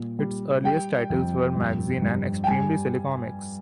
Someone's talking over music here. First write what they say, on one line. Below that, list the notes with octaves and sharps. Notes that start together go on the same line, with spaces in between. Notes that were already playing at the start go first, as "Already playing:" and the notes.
Its earliest titles were "Mangazine" and "Extremely Silly Comics".
Already playing: A#2 G3
G3
G3 G5
F2
G2
G2
G5
G3 G#5